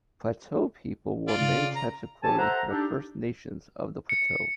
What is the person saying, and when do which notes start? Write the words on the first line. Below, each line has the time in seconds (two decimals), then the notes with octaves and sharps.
Plateau people wore many types of clothing for the First Nations of the Plateau.
1.28 F4 D5
1.40 C#3
1.76 A#5
2.23 G4 A4 C5 C#5 G#5 A5
2.38 A4 C5 E5 F#5 A#5
2.70 D4 D#4 G4 A4
4.09 C#7